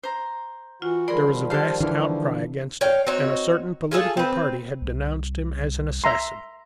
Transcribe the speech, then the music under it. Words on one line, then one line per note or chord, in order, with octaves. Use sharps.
There was a vast outcry against him, and a certain political party had denounced him as an assassin.
C5 A#5
E3 F4 F#4 F#5
D#3 F3 G3 G#4 A#4 D5 B5 C6
G4 C5 F5 A5 C6
D3 E3 F5
C#5 F5 G5
C4 D#4 F#4 C#5
F4 G#4 A4 F5
C4 B4
C2
E5 A#5 C6